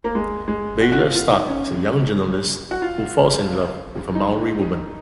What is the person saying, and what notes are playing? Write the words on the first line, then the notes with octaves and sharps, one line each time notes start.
Bayler starred as a young journalist who falls in love with a Maori woman.
A#3
G#3
G#3
F#4
F#4
F4
F4
D#4
C#4
F#4
F4
D#4